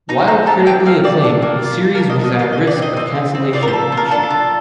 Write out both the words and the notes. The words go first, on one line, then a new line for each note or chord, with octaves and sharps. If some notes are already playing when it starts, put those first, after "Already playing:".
While critically acclaimed, the series was at risk of cancellation each year.
D#4 A#5
C4 A#5
G4 A5
C4 G5
C4 F5
C4 D5
D4
A#3
F4
A#3
A#4
D4
D#5
A#3
D#5
F4 F5
D#5
C4
D5
C4
D#5
C4
C4
C4
F4 D5
A#4
C5
A4
F4
A#4
D4 A4
F4